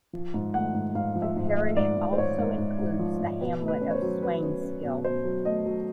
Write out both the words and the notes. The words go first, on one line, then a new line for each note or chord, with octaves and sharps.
The parish also includes the hamlet of Swainshill.
F3
G#2
A3 F#5
G#2
G#2 F5
F3
E5
G#2
D#5
A3
G#2 D5
G#2
C5
G#2 C#5
G#2
G#2
G#2
F3
G#2
B2 B4
A3
B4
C#4
C#5
C5
F#3
C#4 B4
C#4
C#4
B2
B2 C5
F#3
A3 D#5
F#3